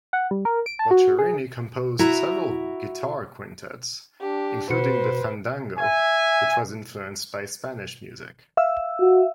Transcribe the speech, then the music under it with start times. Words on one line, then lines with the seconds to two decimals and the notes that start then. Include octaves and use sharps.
Boccherini composed several guitar quintets, including the "Fandango", which was influenced by Spanish music.
0.13 F#5
0.31 G3
0.45 A#4
0.66 D7
0.79 A5
0.91 F#4
1.19 G#4
1.99 E4 F#4 E5 A#5
4.21 D4 G4
4.70 B2 F#4 B4 C5 C#7
5.79 E5 G#5
8.57 E5 F5 E6
9.00 F#4